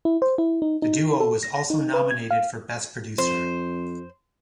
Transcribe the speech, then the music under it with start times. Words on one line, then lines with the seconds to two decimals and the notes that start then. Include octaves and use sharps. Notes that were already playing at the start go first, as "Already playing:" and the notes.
The duo was also nominated for Best producer.
0.05 E4
0.22 C5
0.38 E4
0.62 D#4
0.82 D#4
1.20 A4
1.43 A#6
1.70 D#4
1.94 B4
2.11 G#6
2.31 F5
3.18 F2 C5